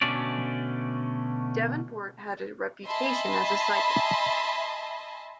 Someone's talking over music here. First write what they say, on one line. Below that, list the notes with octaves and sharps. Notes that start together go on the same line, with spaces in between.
Devenport had a reputation as a psychic.
B2 D3 A3 C#4 D5
D#5 E5 G#5 A5 B5 C6